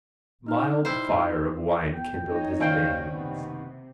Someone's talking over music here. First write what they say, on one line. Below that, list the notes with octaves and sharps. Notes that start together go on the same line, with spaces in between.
Mild fire of wine kindled his veins.
D#4 F6
G3 E4 C5
B3 G5
D#4 C#5
F#1 D#3 C5 D5 F5 G5
C3 B3